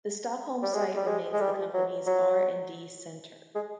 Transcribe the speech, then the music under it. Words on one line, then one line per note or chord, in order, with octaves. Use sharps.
The Stockholm site remains the company's R and D center.
G3
G#3
G3
G#3
G#3
G3
F#3
F#3
G#3